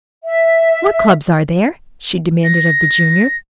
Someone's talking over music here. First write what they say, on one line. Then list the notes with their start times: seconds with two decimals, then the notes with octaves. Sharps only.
"What clubs are there?" she demanded of the Junior.
0.24 E5
2.44 A#6